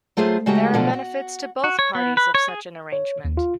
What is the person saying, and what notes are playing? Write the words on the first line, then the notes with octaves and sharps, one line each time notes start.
There are benefits to both parties of such an arrangement.
F#3 A3 F4 G#4 C5
C#3 G#3 A3 F#4 G4 A#5
B2 D3 F3 F#3 A3 B3
F#4
F#4
C#5
B3
B4
C#5
G#4
C#5
D#2
F4